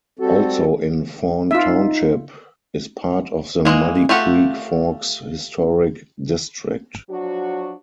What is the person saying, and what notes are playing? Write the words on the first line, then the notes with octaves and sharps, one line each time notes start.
Also in Fawn Township is part of the Muddy Creek Forks Historic District.
G3 C4 F#4 A4
D#4 F4 E5
E3 F3 G#3 A#3
A3 F4 G4 F#5
F3 F#3 D4 F#4